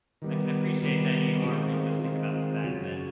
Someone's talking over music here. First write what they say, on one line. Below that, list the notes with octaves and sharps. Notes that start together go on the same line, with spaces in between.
I can appreciate that you are realistic about the fact that,
D#3 G3 B3
D#3 G3 B3
D#3 G#3 C4 F4
D#3 G#3 C4 F4
F#2 C#3 F#3